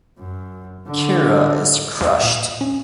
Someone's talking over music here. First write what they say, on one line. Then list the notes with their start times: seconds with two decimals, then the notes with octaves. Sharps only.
Kira is crushed.
0.18 F#2
0.86 D3
2.01 E2
2.24 A#2
2.61 C#4